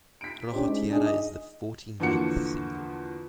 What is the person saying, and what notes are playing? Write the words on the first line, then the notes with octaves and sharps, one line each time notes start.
Rojo Tierra is the forty ninth single.
B6 D7
C#4 D4 G4 C5
G#3 D#4
D4 D#4 G#4
D#5
E2 D3 F3 A#3 F#4 C#7